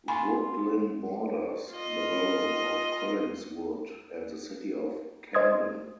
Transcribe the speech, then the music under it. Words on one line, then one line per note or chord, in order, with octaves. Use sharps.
Woodlynne borders the Borough of Collingswood and the City of Camden.
F4 G#5 B5
F4 D#5
C5 D#5 C6 D#6 G#6